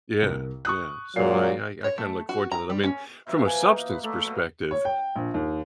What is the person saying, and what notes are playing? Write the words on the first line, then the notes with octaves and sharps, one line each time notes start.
Yeah. Yeah. So I I I kinda look forward to that. I mean, from a substance perspective,
C2 A#4
C#6 D#6 F#6
A#2 F#3 G#3 C7
C#5
A3
F#4
A#5
G3
C#4
B2 F3 F#3 E5
E3 G#5
A#3 D#4
B4
A3 A#3 D5
B2 F#3 B4
C#5
G5
A#1
D#2